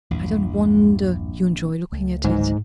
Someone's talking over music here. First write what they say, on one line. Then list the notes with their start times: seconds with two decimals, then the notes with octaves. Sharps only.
I don't wonder you enjoy looking at it.
0.11 A#1 E2 G2 E3
1.92 C#2 A3
2.24 G1 G#2 D#3 F#3